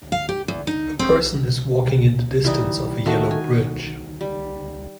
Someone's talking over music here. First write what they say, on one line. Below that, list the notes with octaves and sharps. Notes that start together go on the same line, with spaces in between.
A person is walking in the distance of a yellow bridge.
F5
G4
E2
D#4
C4
E3 G3 D#4
D#3 A3 F#4
G#5
G3